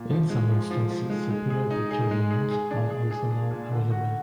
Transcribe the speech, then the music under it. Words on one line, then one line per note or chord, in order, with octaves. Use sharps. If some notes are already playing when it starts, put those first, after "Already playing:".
In some instances superior picture elements are also now available.
Already playing: A#2
F3
G#3
F3
F3
F3
G#3
G#3
G#4
D#4
G#4
G#3
G#4
G#4
D4
G#4
G#4
G#4
A#2
D3
F#4